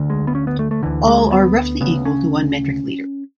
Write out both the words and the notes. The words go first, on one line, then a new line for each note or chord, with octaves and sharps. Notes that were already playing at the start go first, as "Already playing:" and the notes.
All are roughly equal to one metric liter.
Already playing: D2 D3
G#3
B3
C#4
B3
A3
A3
D2 D3 E3
G#3
B3
D2 C#3 B3
C#4